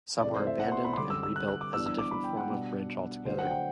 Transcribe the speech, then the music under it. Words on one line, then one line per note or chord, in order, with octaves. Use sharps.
Some were abandoned and rebuilt as a different form of bridge altogether.
C3 E3 A3 D5
C5
E5
F#5
C6
B5
C6
D3 G3 C4 D6
E6
E6
F#6
F#6
D6
E3 G3 B3 D4 E6
E6
D6
B5
G5
F#5
B2 G3 B3 D4
D3 F#3 A3 D4 C5
F#5
G5
F#5